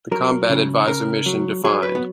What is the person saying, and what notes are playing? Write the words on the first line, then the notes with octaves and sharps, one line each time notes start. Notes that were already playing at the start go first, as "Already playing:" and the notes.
The Combat Advisor Mission Defined.
F#3 A#4
C#3
C#3 A#4
F#3
F#3 G#4
B4
B3